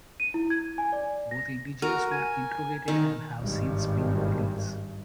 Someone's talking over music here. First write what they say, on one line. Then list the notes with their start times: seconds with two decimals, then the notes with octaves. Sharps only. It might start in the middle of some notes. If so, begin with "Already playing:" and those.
Both individuals were interrogated and have since been released.
0.20 D#7
0.34 E4
0.50 G#6
0.78 G#5
0.93 D5
1.31 A#6
1.82 F#4 A#4
2.11 G#5
2.88 D#3
3.39 G#1 G2